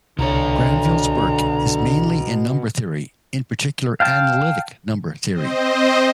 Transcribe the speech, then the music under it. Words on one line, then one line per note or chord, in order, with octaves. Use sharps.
Granville's work is mainly in number theory, in particular analytic number theory.
C2 B2 D3 C#5 A#5
F5 G5 A5
C4 C5 D#5